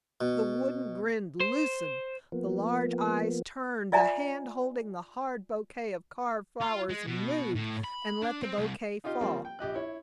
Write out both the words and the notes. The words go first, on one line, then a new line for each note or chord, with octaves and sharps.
The wooden grin loosened, the large eyes turned, the hand holding the hard bouquet of carved flowers moved, and let the bouquet fall.
B2
C5
F3 A#3 B3
F4 D5 E5 G#5 A#5
F4
G#3
B2
A2
B5
D4
C4
C2
D#4 F4 G4 D#5 F5
F3 G3 A#3 C4
G5
A#1 G4 D#5 F#6
E4 C#5